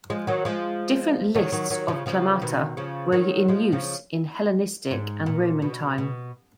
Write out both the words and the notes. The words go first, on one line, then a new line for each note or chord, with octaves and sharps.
Different lists of climata were in use in Hellenistic and Roman time.
F3 G#3
D#3 F#3
F3 G#3
D#3 F#3
D#3 F#3
D#3 F#3
C#3 F3
C#3 F3
B2 D#3
C#3 F3
D#3 F#3
F3 G#3
C#3 F3
G#2
A#2
B2
B2